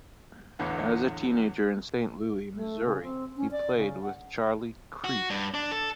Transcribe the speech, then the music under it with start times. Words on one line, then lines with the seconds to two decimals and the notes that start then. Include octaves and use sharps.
As a teenager in Saint Louis, Missouri he played with Charlie Creath.
0.59 B1 E2 A2 D3 B3
2.54 A3
2.85 C#3
3.02 C4
3.37 C#4
3.51 D5
3.77 C#3
4.02 F#5
5.04 F#4
5.30 G2
5.54 D4
5.72 A4